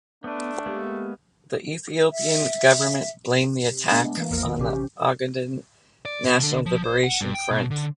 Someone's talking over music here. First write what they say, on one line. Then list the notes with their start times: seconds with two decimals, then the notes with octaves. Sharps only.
The Ethiopian government blamed the attack on the Ogaden National Liberation Front.
0.24 A3 B3 D4 B4
0.66 G#3 A#3 B3 G4
2.11 E5
3.68 C3
3.91 G#3 A3 B3 D4
4.17 E3 A#3
4.31 A1 E2 F3 A#3 A#4
4.44 A#2 D#3
4.58 A1 C3 C#4 G4
6.05 D5
6.25 B2
6.43 D3
6.66 F3
6.84 C5
7.04 F#5
7.21 G2
7.34 G5
7.51 B2
7.71 D3